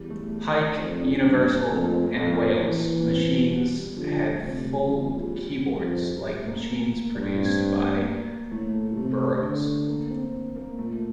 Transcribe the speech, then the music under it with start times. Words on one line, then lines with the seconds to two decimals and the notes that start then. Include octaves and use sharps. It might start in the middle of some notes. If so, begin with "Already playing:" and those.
Pike, Universal, and Wales machines had full keyboards like the machines produced by Burroughs.
Already playing: E2 G3
0.10 A3
0.79 F2 C4
0.95 C4
1.01 D4
1.24 G2 C4
1.36 A#3
1.47 C4
1.58 A#3
1.70 F2 A3
1.92 C4
2.04 A#3
2.15 F2 A3
2.26 A#3
2.61 E3
3.06 C4
3.28 G3
3.51 G3
3.74 G3
3.97 D3 F3
4.19 F3
4.42 C3 A3
4.65 G3
4.88 E2 G3
5.11 F3
5.33 G3
5.78 F2
6.16 G3
6.24 A3
6.47 A#3
7.15 G2 D4
7.38 C4
7.61 A3
7.83 A#3
8.51 A2 A3
8.91 G3
8.97 C3 A3
9.42 D3
9.88 A#3
10.11 C4
10.56 A#3
10.78 A#2 A3